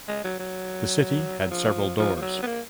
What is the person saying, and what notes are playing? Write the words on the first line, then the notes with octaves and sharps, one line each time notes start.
The city had several doors.
G#3
F#3
F#3
F#3
F3
F3
F3
F#3
B3
A#3